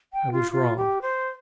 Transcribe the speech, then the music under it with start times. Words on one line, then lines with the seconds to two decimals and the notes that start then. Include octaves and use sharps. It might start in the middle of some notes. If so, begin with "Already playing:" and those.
I was wrong.
0.13 G5
0.31 F4
0.51 F4
0.76 G4
1.01 C5